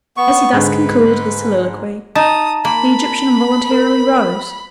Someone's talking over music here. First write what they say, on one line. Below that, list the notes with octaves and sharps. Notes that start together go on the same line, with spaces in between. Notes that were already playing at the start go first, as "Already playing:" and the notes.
As he thus concluded his soliloquy, the Egyptian involuntarily rose.
B3 C#6
G#2 D3 B4
D#4 A5 A#5 D#6
A#3 B5
A#4